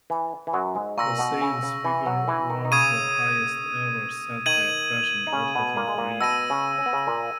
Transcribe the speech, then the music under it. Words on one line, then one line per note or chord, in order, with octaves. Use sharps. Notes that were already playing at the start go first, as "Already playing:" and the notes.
The sales figure was the highest ever set by a fashion outlet in Korea.
E3
E3
F#2 F#3
G#2 G#3
A#2 A#3 C#6 E6 A#6
B2 B3
C#3 C#4
C#3 C#4
E3 E4
F#3 F#4
E3 E4
D#3 D#4
D#4
C#3 C#4 D#6 G#6 D#7
D#3 D#4 G#6 D#7 F#7
D#4
C#3 C#4
B2 B3
A#2 A#3
G#3
A#2 A#3
B2 B3 E6 A#6 D#7
C#3 C#4
C#4
B3
C#3 C#4
A#2 A#3